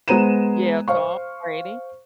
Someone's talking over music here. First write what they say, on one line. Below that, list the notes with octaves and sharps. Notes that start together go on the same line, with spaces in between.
Yeah, Tom Brady,
G#3 B3 C5 A#5 D#7 E7
C5 F5 C#6